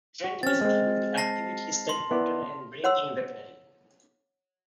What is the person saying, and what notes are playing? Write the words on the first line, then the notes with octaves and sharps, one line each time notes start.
Trent is able to activate his teleporter, and bring in weaponry.
F#4
C4 C#4 F6 A6
G#3 C4
A5 A#6 C7
C6
B3 E4 D5
C#5 F#5 C6 E6